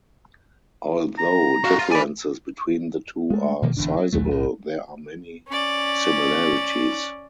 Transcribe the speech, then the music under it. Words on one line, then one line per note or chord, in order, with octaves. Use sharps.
Although differences between the two are sizeable, there are many similarities.
A#5
F#4 F5
F4
D5 G#5 B5
G#3 A3
B2 D#3 F3 A#3
E1 E2 D3 D4
F#3
A#1 D#2 F#3 A3
B1 A2
C#4 D5